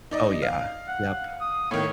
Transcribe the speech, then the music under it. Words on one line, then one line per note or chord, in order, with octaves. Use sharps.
Oh, yeah. Yep,
D#4 D5 D#5
F5
F#5
D#6
A2 D#3 C#5